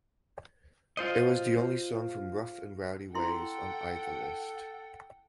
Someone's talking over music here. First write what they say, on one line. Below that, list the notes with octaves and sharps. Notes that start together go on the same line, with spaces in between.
It was the only song from "Rough and Rowdy Ways" on either list.
F4 C5 D#5
E4 A4 F#5 G5 C6